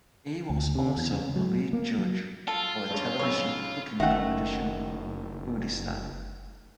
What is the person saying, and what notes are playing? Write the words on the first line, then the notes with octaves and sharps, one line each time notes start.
He was also the lead judge for the television cooking competition, Foodistan.
D2
C3
E2
C#3
F#3
A#3
F#3
F4 A4
G2 G#3 C#4
B1 C#3 C#5 E6
F#1 D#3 A3 C#4 E5 F#5